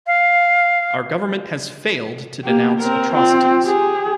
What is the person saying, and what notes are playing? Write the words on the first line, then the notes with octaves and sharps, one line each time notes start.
Our government has failed to denounce atrocities.
F5
A#3 G4
C4 A#4
C4 F4
G4 G#4